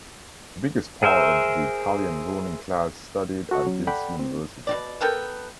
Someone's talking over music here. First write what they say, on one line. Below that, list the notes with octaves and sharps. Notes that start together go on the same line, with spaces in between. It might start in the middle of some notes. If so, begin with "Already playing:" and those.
The biggest part of the Italian ruling class studied at this University.
G#4 A#4 C5 E5
F#4 A4 C#6
F#3 C#4
A4 D5 F#5 G5 B5
C4
B2 C4 D5
B3 A4 A#4 G5